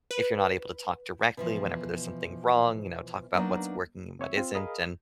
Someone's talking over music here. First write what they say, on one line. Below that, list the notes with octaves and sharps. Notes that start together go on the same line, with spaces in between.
if you're not able to talk directly whenever there's something wrong, you know, talk about what's working and what isn't, and
B4
B2 E3 F3
F#3 A#3 B3 D4 D#4
C4 C#5 E5
C4 F4
G#4 A#4 D#5 F5 B5 D#6